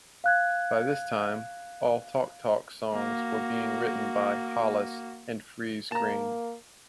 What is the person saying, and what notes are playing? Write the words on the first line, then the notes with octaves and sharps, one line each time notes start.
By this time, all Talk Talk songs were being written by Hollis and Friese-Greene.
F5 F#6 G#6
A#3 F#4
A#3 A5 A#5